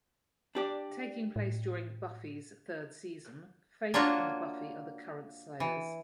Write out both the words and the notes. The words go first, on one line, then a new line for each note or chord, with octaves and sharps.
Taking place during "Buffy"'s third season, Faith and Buffy are the current Slayers.
D4 G4 D5
A2
A#3 D4 F4 F#4 C#5
E3